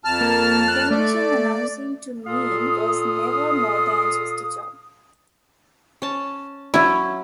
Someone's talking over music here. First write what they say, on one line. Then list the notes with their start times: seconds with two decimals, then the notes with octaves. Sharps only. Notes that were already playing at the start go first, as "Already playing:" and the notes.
Television announcing to me was never more than just a job.
0.05 F2 A5 F6
0.21 A#3
0.68 F#6
0.91 A3 D5
2.26 A#2 F4 A4 F5 D#6
6.02 C#4 A5
6.74 F#3 C#4 E4